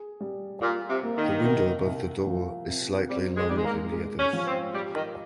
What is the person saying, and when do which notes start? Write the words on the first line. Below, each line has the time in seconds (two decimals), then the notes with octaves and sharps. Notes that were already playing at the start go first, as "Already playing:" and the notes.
The window above the door is slightly longer than the others.
Already playing: G#4
0.20 G3
0.61 A#2 F4
0.89 C3
1.03 A#3
1.17 D#3
1.44 C2
1.86 C2
2.26 F3
2.68 C3
3.09 G3 C4
3.37 G#3
3.49 G#2 G3
3.57 G#3
3.64 A#3
3.92 G#3
4.19 C#4
4.33 F3
4.38 C#4
4.47 C4
4.74 G3 G4
4.95 D#3